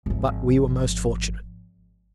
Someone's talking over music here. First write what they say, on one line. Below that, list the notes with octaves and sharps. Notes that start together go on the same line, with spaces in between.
But we were most fortunate.
G#1 F3